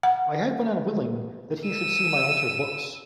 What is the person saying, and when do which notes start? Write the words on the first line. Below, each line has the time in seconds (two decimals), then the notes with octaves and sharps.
I had been unwilling that he should see my altered looks.
0.03 F#5
1.68 E6 D#7